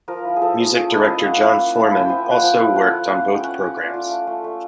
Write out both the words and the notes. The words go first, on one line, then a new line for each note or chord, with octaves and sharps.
Music Director John Foreman also worked on both programs.
F3 A#4
E4
G#4
F3 A4
F3
C#4 G#4
E4 A4
A#3 D#5
C#4 F#5
E4 G#5
A#3
E4 A5
E4
G5
F3 G#5
A#3
F#5
F3 G5
E4
A3 F#5
F4
C#4
A3
G5
C#4 F#5
C#4
F4 D5
F4
A3
A3
A3